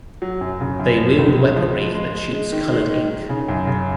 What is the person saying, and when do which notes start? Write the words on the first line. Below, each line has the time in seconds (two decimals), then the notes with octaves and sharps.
They wield weaponry that shoots colored ink.
0.22 F#3
0.41 F#2
0.60 C#3
0.79 F#2
0.98 F3
1.18 C#2
1.37 C#2
1.56 F3
1.75 G#3
1.94 G#3
2.14 G#3
2.33 G#3
2.52 D#3
2.71 G#3
2.91 D#3
3.10 D#3
3.29 C#3
3.48 F#2
3.67 C#3